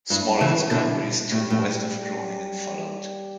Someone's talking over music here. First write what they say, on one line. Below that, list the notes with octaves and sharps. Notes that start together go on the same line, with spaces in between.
Smaller discoveries to the west of Groningen followed.
G2 E4
C#3 E3
B2 D3
A2 G3
A2